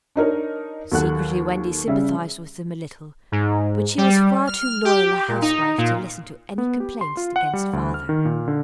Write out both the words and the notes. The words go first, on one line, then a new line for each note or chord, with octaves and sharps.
Secretly Wendy sympathised with them a little, but she was far too loyal a housewife to listen to any complaints against father.
D4 D#4 A#4 C#5
D#2 F#3 A4 F#5 F#6
C#3 G3 E5
G#2
G3
F6
G4
A#2
D#4
A#2
B3
G4
C6
F4
F#5
G3
D2
F6
D#3
A#2
D3